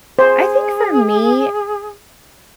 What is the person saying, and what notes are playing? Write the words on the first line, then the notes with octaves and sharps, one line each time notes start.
I think for me,
G#4 C5